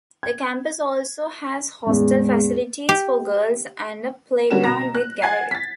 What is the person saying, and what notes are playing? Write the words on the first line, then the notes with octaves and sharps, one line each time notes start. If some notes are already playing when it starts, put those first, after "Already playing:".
The campus also has hostel facilities for girls and a play ground with gallery.
G#6
A1 E2 G#3
G4
D3 G3 C#4 F#4 A#4 E7
B2 A#5 A#6
F#6
F#5 G#5 G#6 A6 C7
A6 B6